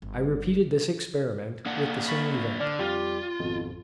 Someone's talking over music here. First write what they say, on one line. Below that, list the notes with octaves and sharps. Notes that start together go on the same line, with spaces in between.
I repeated this experiment with the same event.
G1
A#3 D4 F#5
B5 C#6 A6
D3 D4 D5 F6
F2 G3 F4 G4
G#1 F2 B2